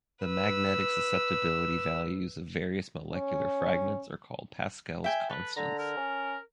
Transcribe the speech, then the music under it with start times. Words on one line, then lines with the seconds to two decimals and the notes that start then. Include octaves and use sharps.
The magnetic susceptibility values of various molecular fragments are called Pascal's constants.
0.24 B4 E6
3.13 C#4
5.04 E5 G5 G#5
5.30 A4 B4
5.57 D3 A#5
5.79 A#4
5.97 C#4